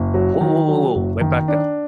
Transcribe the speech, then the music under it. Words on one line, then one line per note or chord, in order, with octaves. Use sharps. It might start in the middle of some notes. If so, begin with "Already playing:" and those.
Whoa, whoa, whoa, whoa, wait, back up.
Already playing: F#1
F#3
D#3
F#3
F#1
D#3
D4